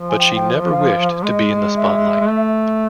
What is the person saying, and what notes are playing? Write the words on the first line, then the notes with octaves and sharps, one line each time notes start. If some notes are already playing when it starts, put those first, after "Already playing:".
But she never wished to be in the spotlight.
Already playing: F3
G#5
G5
G5
F5
G#3 D#5
E5
G#3
A3